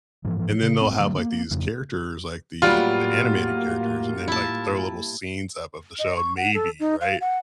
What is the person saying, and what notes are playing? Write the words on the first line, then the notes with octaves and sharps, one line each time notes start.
and then they'll have, like, these characters, like the, uh the animated characters, and then, like, throw little scenes up of the show, maybe, right?
G#2 E3 F3
C#3
G#2 A#3 C4
D3 F#3 G3 A3
A#3 B3 D4
F2 C#3
A2 F#3 G3 A#3 B3 F4
E4 A5
D#5
C#6
F#5
A4
D#4
F5
F#5